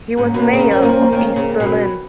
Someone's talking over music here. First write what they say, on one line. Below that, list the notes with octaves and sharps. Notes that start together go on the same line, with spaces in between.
He was Mayor of East Berlin.
G#2 A#3 C#4
B2
C#3
F3
D#3
F3
D#3
C#3
B2